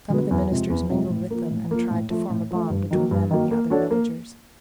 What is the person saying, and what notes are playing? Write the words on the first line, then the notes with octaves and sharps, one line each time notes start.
Some of the ministers mingled with them, and tried to form a bond between them and the other villagers.
D3 F#3 B3
E2
C3 F3 G#3
E2
C3 F3 G#3
A2
F3 A#3
A2
F3 A#3
A2
F3 A3
A2
F3 A3
G2
D#3 F#3 A#3
G2
D#3 F#3 A#3
A#3
D4 F#4 A4 C#5
A#3